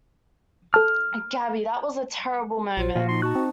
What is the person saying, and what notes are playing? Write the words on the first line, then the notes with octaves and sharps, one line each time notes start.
Gabby, that was a terrible moment.
A4 A5 F6
A#1 F4 C5
A#2 F3 F#4 F5
D#4 C6
F#4 A5 C#6 F#6
C4